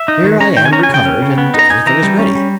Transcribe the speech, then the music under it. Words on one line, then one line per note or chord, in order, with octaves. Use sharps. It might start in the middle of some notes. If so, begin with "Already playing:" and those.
"Here I am recovered and everything is ready."
Already playing: E5
D#4
D#3
C#4 A#5
D#3 G5
G#5
C#4 A#5
G#5
C#3 G5
C#4
C#3
B3
D#4 A#5
D#4 G#5
E3 A#5
G3
C#4
G3